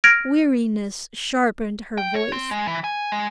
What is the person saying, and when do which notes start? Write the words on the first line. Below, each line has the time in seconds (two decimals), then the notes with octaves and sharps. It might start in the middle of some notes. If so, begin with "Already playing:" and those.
Weariness sharpened her voice.
0.04 F6 G#6 A#6 D7 F7
1.98 G5
2.14 C#5
2.32 C4
2.51 G#3
2.67 E3
2.84 G#5
3.12 G#3